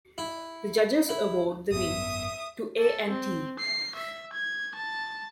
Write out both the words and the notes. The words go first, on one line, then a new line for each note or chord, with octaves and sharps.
The judges award the win to A and T.
E4
E4
G#1 F#2 B3 E5 D#6
A4
C4
C7
E5
G#6
A5